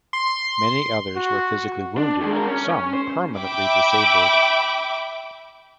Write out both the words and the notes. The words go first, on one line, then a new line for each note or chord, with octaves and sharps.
Many others were physically wounded, some permanently disabled.
C6
F#4
D4
D#2 G#3
G#3 A#4
C#4
C5
E5 G5 B5 D6